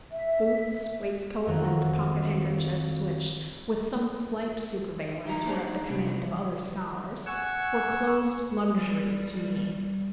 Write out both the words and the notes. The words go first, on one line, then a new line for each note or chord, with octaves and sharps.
Boots, waistcoats, and pocket-handkerchiefs, which, with some slight superveillance, were at the command of other scholars, were closed luxuries to me.
E5
F2 D#3 F#3
D#4 G4 E5 A#5
A#3 D4 D#4 C5 D5 A5
C3 G3 C#4 D4
F#5 G#5 C#6 E6
G3